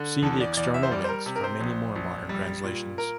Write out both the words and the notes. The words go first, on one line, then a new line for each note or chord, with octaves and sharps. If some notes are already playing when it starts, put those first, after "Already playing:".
See the external links for many more modern translations.
Already playing: D3
E2 A4
D5
E2 D5
E5
C5
G3 D5
C5
A#4
C3
A#4
C5
A#1
A#1
G3
A#2
A#4